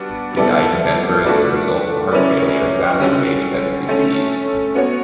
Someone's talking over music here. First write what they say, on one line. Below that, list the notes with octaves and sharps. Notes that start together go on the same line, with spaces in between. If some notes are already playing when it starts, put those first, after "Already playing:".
He died in Denver as the result of heart failure exacerbated by the disease.
Already playing: G3 B3 D4 F#4
G3 B3 E4 A4 D5
A3 D4 F#4 B4 D5
F#3 C#4 E4 B4 D5
D3 G3 C#4 F#4
D3 A3 C#4
B3 F#4 C#5